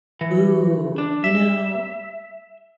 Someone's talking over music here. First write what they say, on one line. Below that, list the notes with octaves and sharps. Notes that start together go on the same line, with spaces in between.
Ooh, you know,
E3
D4
E5